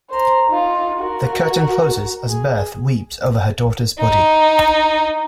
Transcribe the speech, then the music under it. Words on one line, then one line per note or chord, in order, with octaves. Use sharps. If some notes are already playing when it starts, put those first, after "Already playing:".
The curtain closes as Berthe weeps over her daughter's body.
C5 A#5
D#4 F4
F#4 A#4
G#4
D#4